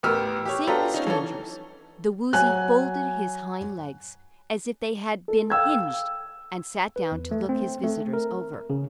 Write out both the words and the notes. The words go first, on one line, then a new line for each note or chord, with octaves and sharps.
Seeing the strangers, the Woozy folded his hind legs as if they had been hinged and sat down to look his visitors over.
A1 B3 G4 A#4 E6 F6
G4 C#5
B3 D4 F4 G4 A4 A#5
C#4 D#4
E3 C#4 A4
F#3 G#5 F#6
A4
F5 G5 E6 G#6
B4
E2
A3
C4
A3
A#4
C#3